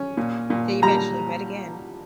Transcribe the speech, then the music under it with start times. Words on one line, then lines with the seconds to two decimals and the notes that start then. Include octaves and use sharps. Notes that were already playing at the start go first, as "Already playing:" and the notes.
They eventually met again.
Already playing: C#4
0.17 A#2
0.50 A#2
0.82 G3 A#5